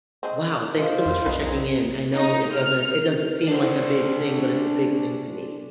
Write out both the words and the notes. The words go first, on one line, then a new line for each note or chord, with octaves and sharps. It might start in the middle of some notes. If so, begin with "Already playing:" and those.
"Wow, thanks so much for checking in. I know it doesn't it doesn't seem like a big thing, but it's a big thing to me."
D#3 G#3 C4
G#3 F4 C5
F2
B1 D#3 D4 B4
C4 G#4 A#5
D#4
F6
D4 C5